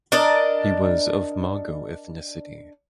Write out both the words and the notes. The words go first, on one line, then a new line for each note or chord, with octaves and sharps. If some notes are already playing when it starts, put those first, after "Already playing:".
He was of Mongo ethnicity.
D4 A#4 D5 D#5